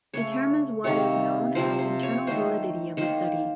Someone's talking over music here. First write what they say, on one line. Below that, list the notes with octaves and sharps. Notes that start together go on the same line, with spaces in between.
Determines what is known as internal validity of the study.
C#3 A3 C#5
C3 D#3 A#3 C#5
C3 F3 A#3 C5
C5
C#5
D#3 F#3 A3 C5
D#3 A#3 C5